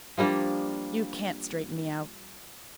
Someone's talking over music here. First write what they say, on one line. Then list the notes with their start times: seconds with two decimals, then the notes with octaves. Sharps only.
"You can't straighten me out."
0.18 F3 G3 A#3 D4